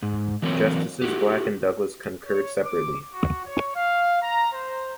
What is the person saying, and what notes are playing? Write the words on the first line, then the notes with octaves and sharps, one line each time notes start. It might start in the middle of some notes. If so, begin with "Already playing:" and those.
Justices Black and Douglas concurred separately.
G#2
E3 F#3 A#3 C4 C#5
E4 F#4 G4
C#5
D6
F#4
C#5
F5
A#5
C5